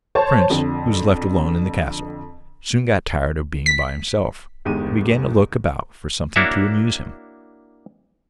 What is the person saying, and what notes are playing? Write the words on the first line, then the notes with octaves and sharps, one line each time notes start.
The prince, who was left alone in the castle, soon got tired of being by himself, and began to look about for something to amuse him.
C5 C#5 A5
F2 D3
B6
G1 E2 G#3 D#4 G4 D#7
A#3 D4 E4 F#4 C#5 E5